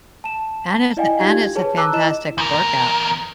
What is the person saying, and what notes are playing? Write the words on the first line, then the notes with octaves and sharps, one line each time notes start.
And it's and it's a fantastic workout.
A5 E7
E4 D5 D#5 F5 G5 G#5
D#4 F4 G4 G#6
G#4 B4 C#5 A5
A5 A#5 D6 E6 F#6
E4 D#5 E7
E2 A#4